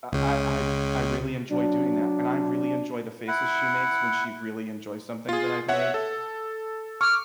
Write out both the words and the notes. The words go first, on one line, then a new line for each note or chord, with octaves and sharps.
I I I I really enjoy doing that, and I really enjoy the faces she makes when she really enjoys something that I've made.
C#2 C#3
F#3 D4
E4 F#5
F4 G#4
C#5 E5 F#5
A4
C#6 D6 F6